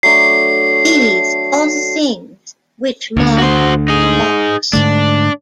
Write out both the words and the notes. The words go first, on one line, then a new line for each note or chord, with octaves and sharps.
These are the things which mark epochs.
F#3 A3 D4 C7
D2 D3
F#4 C5
D#4 G#4
G#2 D3 A3 D4